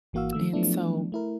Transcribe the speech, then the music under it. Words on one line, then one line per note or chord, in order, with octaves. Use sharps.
And so,
G#1 E3 A#3 F#4 F5 E6
D#3 A3 E6
F3 F#3 A3 B3 D4 E4
A3 E4 A#4